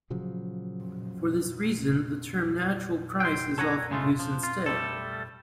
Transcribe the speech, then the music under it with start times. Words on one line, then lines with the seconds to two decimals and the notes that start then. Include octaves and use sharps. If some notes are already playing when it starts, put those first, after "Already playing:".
For this reason, the term 'natural price' is often used instead.
0.10 A#2 C#3 F3 F#3
3.20 G5 C6
3.58 A4 C#5 F#5 G#5 A#5
3.90 A2 C#3 G#3 A3 F4
4.19 F3
4.43 F4
4.66 G3 A3 A4